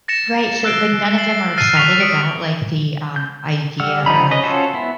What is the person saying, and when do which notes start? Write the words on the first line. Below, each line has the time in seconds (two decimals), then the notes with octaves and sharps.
Right, so, like, none of them are excited about, like, the, um, idea of
0.08 A6 A#6 C#7 E7
0.64 E6 F#6 C7 D7 G7
1.18 A6 C7 C#7 F#7
1.57 F6 A6 C7 D#7
1.77 C#6 E6 F6 B6 C7 F7
2.00 D#6 A6 C#7 D7
3.16 G6
3.80 G3 F#5 E6 F6
4.06 D3 F3 G3 D#4 B5
4.31 C#4 B4 D#5
4.43 C#4 F4 F#4 A4 C5
4.74 B3 E4